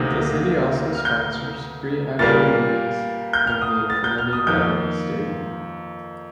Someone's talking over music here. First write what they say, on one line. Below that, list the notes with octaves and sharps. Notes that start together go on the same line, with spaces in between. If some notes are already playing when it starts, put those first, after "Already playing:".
The city also sponsors free outdoor movies in the Infinity Park stadium.
Already playing: D2 C3 D#3 A#3 D#6
F6
G6
A#2 G3 A#3 A6
G6
F6
D#6
A6
G6
F6
D#6
F2 D#3 A#3 G6